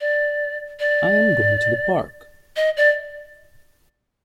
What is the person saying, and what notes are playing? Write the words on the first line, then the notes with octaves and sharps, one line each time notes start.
I am going to the Park.
D5
D5
D#5
D5